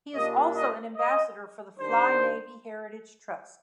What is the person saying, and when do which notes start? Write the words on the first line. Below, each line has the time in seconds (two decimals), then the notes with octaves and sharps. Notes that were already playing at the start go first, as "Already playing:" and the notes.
He is also an Ambassador for the Fly Navy Heritage Trust.
0.15 A#2 G3 A#3 D4 D#5
0.56 D#5
0.96 D#5
1.78 D#3 G3 D4 C5